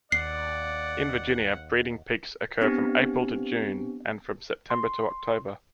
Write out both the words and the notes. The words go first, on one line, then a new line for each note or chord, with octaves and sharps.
In Virginia breeding peaks occur from April to June and from September to October.
D#2 D5 F#5 C7
B3 C4 D4 G4
C6